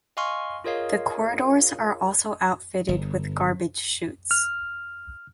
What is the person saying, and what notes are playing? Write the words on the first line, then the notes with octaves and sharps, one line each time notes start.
The corridors are also outfitted with garbage chutes.
D#5 F5 G#5 C6 C#6 F6
F4 G#4 A#4 C#5 D#5 F5
G1
F6